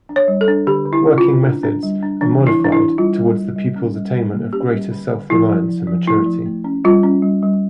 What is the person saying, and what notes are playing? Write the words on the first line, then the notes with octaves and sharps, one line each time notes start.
Working methods are modified towards the pupil's attainment of greater self-reliance and maturity.
D4
C#5
G3
A4
D4
D3 G4
D3
E4
C#4
F4
D3
D4
D4
G3
D4
E3 D4
E3
E4
E3 D4
E4
E3
G3 F4
G3
G3
G3
C#4
G3
G3
A#3
C#4 G4
G3
D3
D3
F3 E4
F3
F3
F3
A3 E4
F3
A3
C#4
G3 F4
C#4
G3
G3